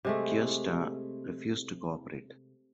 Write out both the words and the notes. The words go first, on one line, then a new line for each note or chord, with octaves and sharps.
Cuesta refused to co-operate.
C3 G#3 A3